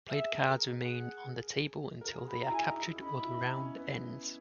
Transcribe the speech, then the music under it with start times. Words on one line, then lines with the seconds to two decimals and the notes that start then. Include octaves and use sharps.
Played cards remain on the table until they are captured or the round ends.
0.07 G#4 E5
0.44 A#4
0.80 G#4 F#5
2.01 A#4
2.14 G#4
2.27 F#4 B5
2.41 A#5
2.46 E4
2.53 G#5
2.64 D#4 A#5
2.75 D#4
2.83 E4
2.96 C#4
3.02 D#4 B5
3.19 E4
3.37 D#4
3.56 C#4
3.74 B3